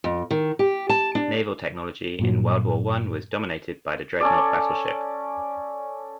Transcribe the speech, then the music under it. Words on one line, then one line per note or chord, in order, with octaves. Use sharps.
Naval technology in World War One was dominated by the dreadnought battleship.
F2
D#3
G4
A5
D4
G2 A#2 F#3
C#4 A4 D5